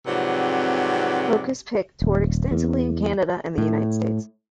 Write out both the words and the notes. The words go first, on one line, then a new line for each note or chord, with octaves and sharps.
Hokus Pick toured extensively in Canada and the United States.
F2 G#2 C3 F#3 B4 D5
D#1
E2
A2